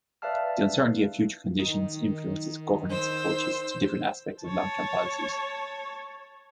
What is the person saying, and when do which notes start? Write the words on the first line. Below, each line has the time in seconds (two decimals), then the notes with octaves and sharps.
The uncertainty of future conditions influences governance approaches to different aspects of long-term policies.
0.22 B4 D5 E5 F5 A5 F6
1.59 D#3
2.91 C5 E6
4.42 C#5 A5